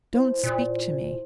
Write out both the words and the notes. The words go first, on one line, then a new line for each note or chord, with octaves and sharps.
Don't speak to me.
E4 C5
A#2